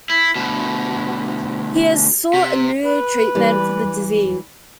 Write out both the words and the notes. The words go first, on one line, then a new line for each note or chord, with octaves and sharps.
He has sought a new treatment for the disease.
E4
D2 B2
C3
B4
E3 G3